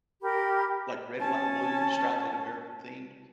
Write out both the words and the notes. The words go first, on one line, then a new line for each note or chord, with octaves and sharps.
like, red, white, and blue, striped, American themed.
G4 A#4 B5
C#4 A5